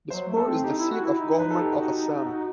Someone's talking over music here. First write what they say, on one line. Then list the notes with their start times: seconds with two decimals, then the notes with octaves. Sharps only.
Dispur is the seat of Government of Assam.
0.10 F#3 C5
0.28 A3
0.37 A4
0.46 C4
0.63 D#4 G4
0.78 E4
0.91 F#4
1.04 E4
1.18 D#4
1.39 B4
1.51 A4
1.61 G4
1.72 F#4
2.26 F#4